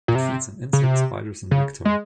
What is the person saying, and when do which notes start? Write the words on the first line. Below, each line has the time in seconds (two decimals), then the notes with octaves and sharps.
It feeds on insects, spiders and nectar.
0.08 A#2
0.15 C3
0.73 C#3
0.83 C3
1.51 C#3
1.85 G#3